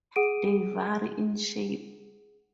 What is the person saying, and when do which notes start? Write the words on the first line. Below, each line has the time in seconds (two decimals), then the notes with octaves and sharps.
They vary in shape.
0.16 G#4 F#5 D#6 D7 D#7